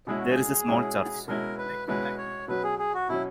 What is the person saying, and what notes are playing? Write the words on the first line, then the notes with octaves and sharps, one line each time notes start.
There is a small church.
B2 G#3 C#4 E4 G#4
F#4
G#4
B2 G#3 C#4 E4
B2 G#3 C#4 E4 A#4
B4
B2 G#3 C#4 E4 B4
C#5
B2 F#3 C#4 B4
G#4
G#4
F#4
B2 F#3 C#4 E4